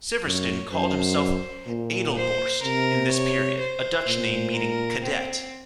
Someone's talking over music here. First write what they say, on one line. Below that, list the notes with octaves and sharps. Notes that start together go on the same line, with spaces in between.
Sivertsen called himself "Adelborst" in this period, a Dutch name meaning "cadet".
F#2 C#5
F#2 C5
A#2
C5
C3 A#4
C#5
C5
A#2
A#4
C4